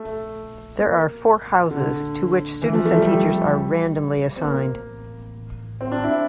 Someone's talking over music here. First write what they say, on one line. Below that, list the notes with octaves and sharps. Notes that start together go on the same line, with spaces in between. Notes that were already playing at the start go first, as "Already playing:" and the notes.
There are four houses to which students and teachers are randomly assigned.
Already playing: A3
A#3
D3
E3
F3
A3
G3
G3
C4
A#3
C4
D4
E4